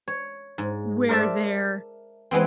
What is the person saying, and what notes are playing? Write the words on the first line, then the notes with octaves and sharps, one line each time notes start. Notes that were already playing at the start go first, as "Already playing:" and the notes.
where their
C#5
G#2
A#4 C5 D5 E5 A5
E3 G#3 B3 C4